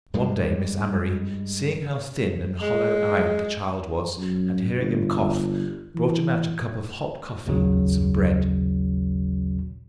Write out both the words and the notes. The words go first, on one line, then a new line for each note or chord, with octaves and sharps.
One day Miss Amory, seeing how thin and hollow-eyed the child was, and hearing him cough, brought him out a cup of hot coffee and some bread.
G2 G3 G#3
G#3
F#2
G1
E3
A1 D#2 A#2 C#3 F#3